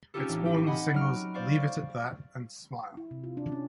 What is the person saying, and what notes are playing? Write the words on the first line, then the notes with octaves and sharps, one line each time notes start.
It spawned the singles "Leave It At That" and "Smile".
C4 C#4 D#4 F4 G4 A4
A1
G4
D#5 F#5 G#5 B5
F#3 F6 D7
C5 D5 F5 C#6
E4
C3
F4
D4
C#4